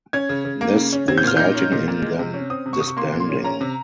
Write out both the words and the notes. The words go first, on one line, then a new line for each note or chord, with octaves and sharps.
This resulting in them disbanding.
C#4 G#6
C#3
C#3
A#3
C#3
C#4
C4 G#6
G6
A#2 F6
D#4 G6
C#4
A#2
A#2
G#3
C3
C#4
C4 D#6
C3
C#6
C3 D#6
C#6
A#3 C6
A#2
C6
C#4
C#4 A#5
C3